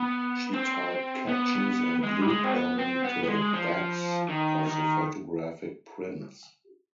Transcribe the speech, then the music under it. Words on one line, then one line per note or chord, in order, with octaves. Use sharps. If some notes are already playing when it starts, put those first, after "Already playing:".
She typed captions and glued them to the backs of the photographic prints.
Already playing: B3
C4
B3
G#3
G3
G#3
C4
B3
C4
B3
B3
G#3
F3
D#3
D#3